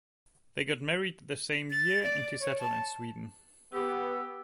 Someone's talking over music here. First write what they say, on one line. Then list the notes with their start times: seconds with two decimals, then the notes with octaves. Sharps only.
They got married the same year and he settled in Sweden.
1.71 A6
2.03 D5
2.40 C#5
2.59 A5
3.73 B3 G4 E6